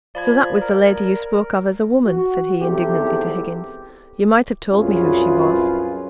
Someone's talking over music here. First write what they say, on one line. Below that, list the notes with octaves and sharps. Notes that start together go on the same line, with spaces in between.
'So that was the lady you spoke of as a woman?' said he indignantly to Higgins. 'You might have told me who she was.
F3 D5 B5 G#6
A#4
F#4
E2 G#2 C3 G4 A4
C2 F#2 C#4 F4 G#4 B4